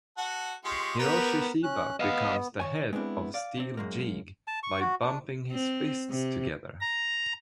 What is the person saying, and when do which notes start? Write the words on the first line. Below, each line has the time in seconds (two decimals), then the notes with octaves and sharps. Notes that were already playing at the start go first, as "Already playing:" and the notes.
Hiroshi Shiba becomes the head of Steel Jeeg by bumping his fists together.
0.18 F#4 A4 F#5
0.65 G#3 F4 G4 C#6
0.99 B3 G4 A#4 B4 G5
1.63 C#4 F#6
2.00 B3 D#5 F5
2.60 D#3 C#5 G#5
2.93 G#3 B3 C4 D4 E4
3.34 D5 F5
3.57 C3 C4
3.77 F#2 G#3 A#3
4.48 A5
4.63 C#6
4.80 F#4
5.02 D4
5.52 C4
6.10 C3
6.81 A#5